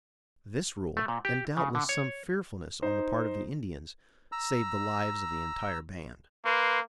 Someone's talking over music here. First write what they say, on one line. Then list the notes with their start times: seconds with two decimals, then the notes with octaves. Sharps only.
This rule, and doubtless some fearfulness on the part of the Indians, saved the lives of the entire band.
0.97 A3
1.08 A#2
1.25 G4
1.57 C#3
1.75 D3
1.89 C#5
2.82 D#4 C5
4.32 A#5 E6
6.45 A#3 B4 C6